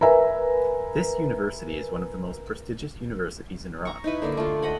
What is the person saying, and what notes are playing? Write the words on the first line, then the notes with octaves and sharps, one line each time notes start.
This university is one of the most prestigious universities in Iran.
A#4 B4 E5 G#5 A#5
A#5 C#6
D#4 E4 B4
D3 A#3 D5
A3 F4
D#5 F#5 B5